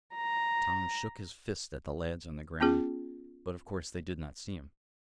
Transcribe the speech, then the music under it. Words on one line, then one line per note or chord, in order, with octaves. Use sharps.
Tom shook his fist at the lads on the ground, but of course they did not see him.
A#5
B3 C#4 F4 G#4